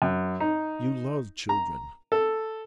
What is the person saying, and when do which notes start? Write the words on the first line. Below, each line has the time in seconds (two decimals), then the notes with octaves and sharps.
You love children.'
0.02 F#2
0.40 D#4
1.49 A#5
2.12 A4